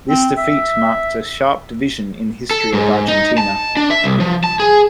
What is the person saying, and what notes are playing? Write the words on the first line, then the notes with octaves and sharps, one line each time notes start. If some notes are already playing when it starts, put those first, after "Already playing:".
This defeat marked a sharp division in the history of Argentina.
C4
E5
A4
G#2
D#4
A5
D4
E5
C2
F3
A5
G#4